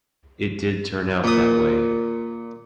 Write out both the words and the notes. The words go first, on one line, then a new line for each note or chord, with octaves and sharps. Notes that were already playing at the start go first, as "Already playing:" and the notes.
It did turn out that way.
A#2 D#6